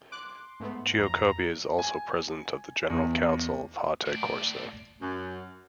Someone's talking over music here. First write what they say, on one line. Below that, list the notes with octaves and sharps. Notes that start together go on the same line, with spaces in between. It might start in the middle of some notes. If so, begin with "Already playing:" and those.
Giacobbi is also President of the general council of Haute-Corse.
C6 D6 F#6
G#2 A3 B3
F2 A#5
G#5
E2
A2 A3 D5
F#2